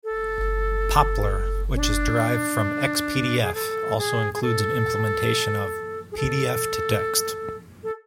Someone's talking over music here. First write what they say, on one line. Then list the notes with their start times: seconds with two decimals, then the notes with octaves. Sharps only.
Poppler, which is derived from Xpdf, also includes an implementation of pdftotext.
0.04 A4
1.75 C#4
1.79 D4
3.43 G#4
3.54 A4
3.98 G#4
4.34 G#4
4.42 A4
6.12 G#4
6.17 A4
7.83 A4